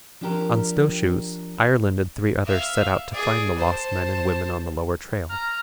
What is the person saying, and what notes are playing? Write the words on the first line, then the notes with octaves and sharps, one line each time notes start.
On snowshoes Ireland and three others set out to find the lost men and women on the lower trail.
F3 D4 G4 A#4
E5 F5
G#4 D5
C5 A5
A#5 F6